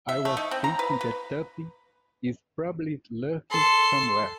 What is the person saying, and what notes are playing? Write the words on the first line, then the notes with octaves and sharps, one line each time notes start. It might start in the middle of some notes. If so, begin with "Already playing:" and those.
I was thinking that Tuppy is probably lurking somewhere.
E5
A3
D#4
C4
A#5
B4
B4
A4 C6